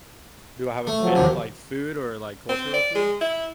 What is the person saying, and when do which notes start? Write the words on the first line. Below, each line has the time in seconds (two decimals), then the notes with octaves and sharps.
Do I have a favorite, like, food or, like, cultural food?
0.87 A3
1.00 F3 F#3
1.15 D#2 C3
2.49 C4
2.73 D5
2.95 G#3
3.21 E4